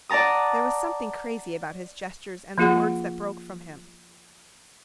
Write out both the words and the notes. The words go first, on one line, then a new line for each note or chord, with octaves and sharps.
There was something crazy about his gestures and the words that broke from him.
D5 F#5 A5 A#5 D#6
F3 A#3 F4 G#4 F#5